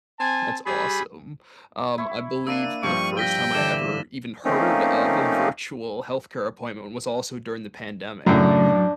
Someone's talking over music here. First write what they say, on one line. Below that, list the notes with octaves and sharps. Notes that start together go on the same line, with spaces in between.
That's awesome. Um, I believe the first time I ever even heard of a virtual health care appointment was also during the pandemic.
C4 G#5 A5
G3 G#4 B5
E4 C#6
A#3 D4 E6 D#7
G2 F3 C#6
G5 A#6 B6 G7
D3 E3 E7
F3 A3 A#3 C4 C#4 D#4
F#2 A2 C#3 F#3 A3 D4